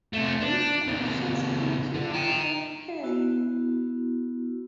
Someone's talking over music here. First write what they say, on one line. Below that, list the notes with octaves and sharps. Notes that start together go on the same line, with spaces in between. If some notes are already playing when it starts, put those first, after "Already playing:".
This ensures continuity of care.
C3 A3
D4
A#2 C#3
D3
G5 A#5
B3 E4 F#4